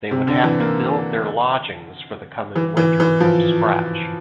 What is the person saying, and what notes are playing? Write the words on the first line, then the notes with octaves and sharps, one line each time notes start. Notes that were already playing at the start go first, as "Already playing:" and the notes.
They would have to build their lodgings for the coming winter from scratch.
C3
D3
E3
A#3
E3
E3
E3
F3